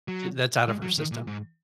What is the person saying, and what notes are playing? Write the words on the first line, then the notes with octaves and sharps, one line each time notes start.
and that's out of her system.
F#3
G#3
F#3
D#3
A#2
G#2